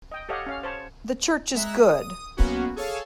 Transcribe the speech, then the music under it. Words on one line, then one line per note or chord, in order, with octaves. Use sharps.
The church is good.
D#5 G5
G4 A4 C#5 D#5 F5 F#5
C#4 F5
C5 C#5 A5
G#3 E5 A#5 F#6
D#6
B1 A#3 B3 C#4 F#4
G#4 A4 C#5 F5 A5